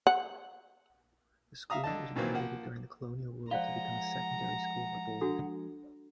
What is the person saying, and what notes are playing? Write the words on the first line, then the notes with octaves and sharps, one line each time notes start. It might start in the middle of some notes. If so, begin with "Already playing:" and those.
The school was renovated during colonial rule to become a secondary school for boys.
F#5
E5 F5 A#5 D#6
D3 D#5 A5
A#2 D#3 E3 F#3 A#3 C4
F3 A#3 F#5
F3 G#3 F4 C5 D5 F5 F#5 A#5
D4 F#4 A4